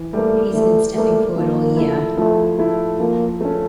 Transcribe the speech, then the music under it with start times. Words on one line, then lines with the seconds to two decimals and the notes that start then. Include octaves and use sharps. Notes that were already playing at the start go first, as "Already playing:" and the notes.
He has been stepping forward all year.
Already playing: E3
0.13 G3 A3 A#3
0.54 E3 A3
0.95 G3 A3 A#3
1.36 F3 A#3
1.77 A3 E4
2.17 F3 A3
2.58 A3 E4
2.99 F3 A#3
3.41 A3 C#4